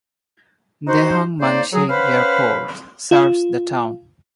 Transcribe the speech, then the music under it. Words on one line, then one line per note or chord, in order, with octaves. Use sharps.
Dehong Mangshi Airport serves the town.
D#4 F#4 C5
C#3 A#3 D#4 C5 D5
F#3 G#4
C#4 B4 C5 F5 F#5 B5
F4